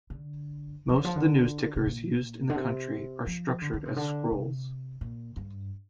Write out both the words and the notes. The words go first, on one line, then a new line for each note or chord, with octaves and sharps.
Most of the news tickers used in the country are structured as scrolls.
D3
F3
D3
F3
D3
C3
A#2
D3
C3
F3
D3
D3
C3
D3
C3
A#2
G2